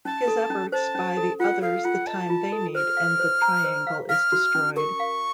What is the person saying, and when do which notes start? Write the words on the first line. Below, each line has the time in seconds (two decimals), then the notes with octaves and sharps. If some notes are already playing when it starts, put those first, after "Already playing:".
His efforts buy the others the time they need and the Triangle is destroyed.
0.05 C#4 A5
0.28 A4
0.50 C#4
0.72 C5 A5
0.95 C#4
1.17 A4
1.39 F4 F#5
1.62 A4 F5
1.84 F4 F#5
2.07 D#5 A5
2.30 F4
2.52 A4
2.75 C5 F6
2.97 F5
3.20 C5
3.42 A#5
3.64 C5
3.87 F5
4.09 F5 F6
4.32 F#4
4.55 C#4
4.77 A#4 C#6
5.00 F5